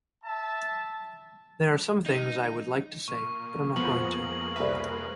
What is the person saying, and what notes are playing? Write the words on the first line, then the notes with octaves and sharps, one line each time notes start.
There are some things I would like to say but I'm not going to.
E5 A5
D#4
A#2 C#6
F2 F3 G#3 A#3 B3 F#7
C2 B4 E5